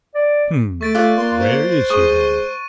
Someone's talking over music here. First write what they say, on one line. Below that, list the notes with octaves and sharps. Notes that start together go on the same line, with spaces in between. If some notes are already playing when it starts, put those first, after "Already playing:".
"Hm, where is he, then?"
D5
A3 C#6 A6 D7
A3 F4 D5 F#6
A#3 C6
C5
G#3 C#6 D#6 D#7